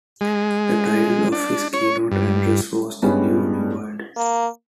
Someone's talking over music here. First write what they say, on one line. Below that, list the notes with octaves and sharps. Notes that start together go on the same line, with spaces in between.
The title of his keynote address was The New New World.
G#3
D4
C#5
G2
G2 G3 G#3 B3 C#4
A#3